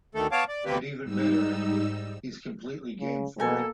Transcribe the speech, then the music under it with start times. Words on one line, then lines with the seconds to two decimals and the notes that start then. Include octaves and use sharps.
And even better, he's completely game for it.
0.15 D2 D#3 A3 A4
0.32 B3 C#5 F5 A5 D6
0.48 D5
0.65 D2 D#3 A#3 C4 G4 B4
1.03 G#2 G3 D#4 E6
3.00 C#3
3.40 B2 A#3 D#4 A4 G#5